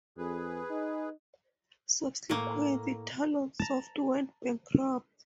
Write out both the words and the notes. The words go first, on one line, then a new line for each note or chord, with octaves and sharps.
Subsequently, Talonsoft went bankrupt.
F2 G#4 B4
D#4
A2 A#3
A5 A#5